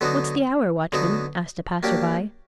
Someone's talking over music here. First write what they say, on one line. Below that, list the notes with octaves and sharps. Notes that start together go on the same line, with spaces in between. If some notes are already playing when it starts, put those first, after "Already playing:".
"What's the hour, watchman?" asked a passer-by.
D3 F#3 B3 D#4 F#4
D3 F#3 B3 D#4 F#4
F#3 A#3 D4 G4